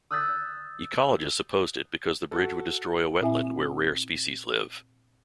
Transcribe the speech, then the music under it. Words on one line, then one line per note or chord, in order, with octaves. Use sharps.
Ecologists opposed it because the bridge would destroy a wetland where rare species live.
D#6 E6 F#6 G6 A6 B6
F#4 A4
A#2 C4 E4 E5 G#5